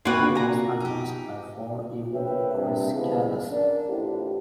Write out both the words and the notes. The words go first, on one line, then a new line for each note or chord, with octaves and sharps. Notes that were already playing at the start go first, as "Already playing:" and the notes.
He was unmasked by "War Eagle" Chris Chavis.
C3 A#3 F4 F#4 B4 G#5
G#5 A#5
D#4 G4
A#1 C#3 B4 C#5 E5 G5
G2 C3
C#3 E3 F3 G#3 B3
C#4 D4 A#4 D5
A1 F2 D3 E4 G4